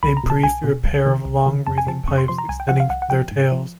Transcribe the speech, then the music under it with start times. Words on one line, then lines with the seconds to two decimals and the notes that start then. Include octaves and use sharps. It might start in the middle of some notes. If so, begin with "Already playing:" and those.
They breathe through a pair of long breathing pipes extending from their tails.
0.03 C2 B5
0.17 A#5
0.23 B2
0.30 A5
0.44 C2 G#5
0.64 B2
0.85 C2
1.06 C3 D#3
1.25 C2
1.46 C3 D#3
1.67 F2 A5
1.78 G#5
1.87 C3 F3 A5
2.08 F2 C#6
2.18 C6
2.28 C3 F3 C6
2.38 A#5
2.49 C2 G#5
2.60 G5
2.69 C3 F3 F#5
2.80 F5
2.90 C2 F#5
3.02 F#5
3.10 C3 F3 G5
3.31 G#2
3.52 F3